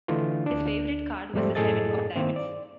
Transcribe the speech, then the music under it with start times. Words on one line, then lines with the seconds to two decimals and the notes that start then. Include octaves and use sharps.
His favourite card was the seven of diamonds.
0.08 D3 E3 A3 D#4 F4
0.46 D2 D4
1.34 F2 G#2 G3 A3 C4
1.55 F#2 A2 G#4 A4 D#5 A6
2.15 G2 D#3 A#3 C4
2.36 D5